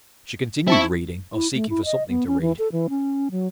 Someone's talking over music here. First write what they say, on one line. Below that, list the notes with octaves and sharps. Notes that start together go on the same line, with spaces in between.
She continued reading, or seeking for something to read.
C4 E4 A5 C#6
E4
A3
E4
D#5
B3
C#4
E3
A4
E3
C#4
F#3